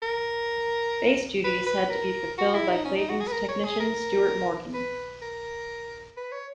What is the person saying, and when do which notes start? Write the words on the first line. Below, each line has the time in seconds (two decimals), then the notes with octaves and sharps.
Bass duties had to be fulfilled by Clayton's technician Stuart Morgan.
0.02 A#4
1.44 B4
1.66 B4
1.91 A#4
2.38 F#4
2.54 E4
2.69 D#4
2.85 C#4
2.97 D#4
3.09 F#4
3.20 G#4
3.27 B4
3.33 A#4
3.48 C#5
3.64 G#4
3.80 A#4
4.74 B4
5.22 A#4
6.17 B4
6.32 C#5